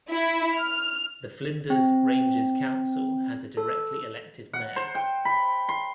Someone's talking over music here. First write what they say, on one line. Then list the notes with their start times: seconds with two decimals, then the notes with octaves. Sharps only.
The Flinders Ranges Council has a directly-elected mayor.
0.10 E4
0.57 F6
1.70 C4
3.57 A4
4.53 F#5
4.76 C5
4.95 G5
5.25 B5
5.69 C6